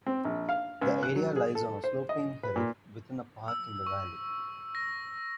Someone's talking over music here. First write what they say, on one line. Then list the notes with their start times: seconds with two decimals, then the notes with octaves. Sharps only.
The area lies on a sloping hill with a park in the valley.
0.06 C4
0.25 A#1
0.49 F5
0.81 C#2
1.03 F#6
1.16 F#3
1.36 G#4
1.55 A4
1.84 C5
2.09 D#5
2.43 B4
2.56 A#2
3.48 E6
3.86 C#6
4.75 A#6